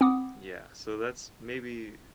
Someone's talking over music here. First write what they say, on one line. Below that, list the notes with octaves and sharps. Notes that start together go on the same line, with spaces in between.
yeah, so that's maybe
C4 F#5 B5 D6 D#6